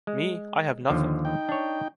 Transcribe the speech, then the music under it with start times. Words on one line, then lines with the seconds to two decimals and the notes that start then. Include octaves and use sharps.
Me, I have nothing!
0.07 G#3
0.90 D#2 D3 F3
1.25 D#4 G5
1.49 D4 C#5